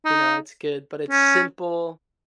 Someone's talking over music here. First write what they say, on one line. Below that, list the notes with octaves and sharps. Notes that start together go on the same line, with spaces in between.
You know, it's good. But it's simple,
D#4
C#4